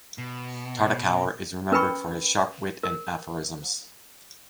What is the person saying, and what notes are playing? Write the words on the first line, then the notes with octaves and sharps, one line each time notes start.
Tartakower is remembered for his sharp wit and aphorisms.
B2
C#4 A#4 B4 G5 B5 C#6
A#4